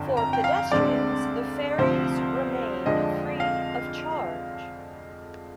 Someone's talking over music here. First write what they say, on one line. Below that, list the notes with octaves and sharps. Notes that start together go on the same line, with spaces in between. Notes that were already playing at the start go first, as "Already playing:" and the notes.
For pedestrians, the ferries remain free of charge.
Already playing: G1 F2 D3
A#5
G5
F5
D2 D3 G#3 C4 D5
D2 C3 F3 C4 C5
F2 D3 F3 G#3 D4 D#5
F5